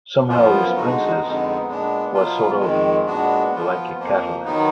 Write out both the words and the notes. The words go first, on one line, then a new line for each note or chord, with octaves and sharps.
Somehow this princess was sort of like a catalyst.
F#2 F3 B3 F4
D3 G#3 D#4 F#4
F2 D3 G#3 B3 D#4
A#2 G#3 B3 D4
B2 F#3 B3 F4
F2 D#3 G#3
A#2 G#3 B3 D4 F#4
F3 B3 F4
F2 F3 A#3
D#3 F#3 B3 D#4